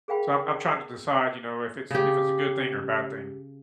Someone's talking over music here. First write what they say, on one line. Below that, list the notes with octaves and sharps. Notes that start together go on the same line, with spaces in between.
So, I'm I'm trying to decide, you know, if it's if it's a good thing, or a bad thing.
G#4 A#4 F5 G5 B5
C#3 G4